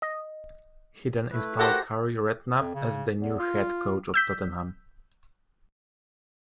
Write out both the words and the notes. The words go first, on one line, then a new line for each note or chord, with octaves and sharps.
He then installed Harry Redknapp as the new Head Coach of Tottenham.
D#5
A3 E4 B4
F#4 G4 A4 A#4 C5 F#5 A#6
F2
C#3
E2
F4
E6 G6 B6